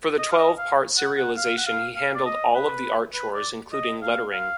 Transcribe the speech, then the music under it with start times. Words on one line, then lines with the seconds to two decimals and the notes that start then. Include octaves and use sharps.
For the twelve-part serialization, he handled all of the art chores including lettering.
0.18 D#5
0.31 F5
0.38 D#5
0.57 F5
0.97 F#5
1.17 F#5
1.37 F5
1.57 F#5
1.66 F5
1.96 F5
2.14 D5
2.25 D#5
2.55 B4
3.14 B4
3.34 D5
3.73 D#5
4.02 F5
4.32 F5